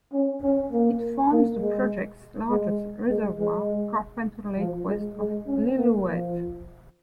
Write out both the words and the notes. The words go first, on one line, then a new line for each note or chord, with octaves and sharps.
It forms the project's largest reservoir, Carpenter Lake west of Lillooet.
C#4
C#4
A#3
A#3
G#3
G#3
G#3
G#3
F3
G#3
G#3
C#4
A#3
F3